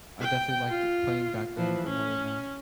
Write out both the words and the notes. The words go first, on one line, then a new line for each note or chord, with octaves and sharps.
I definitely liked it playing back then a bit more than now.
G5
F4
E3 F3
C#4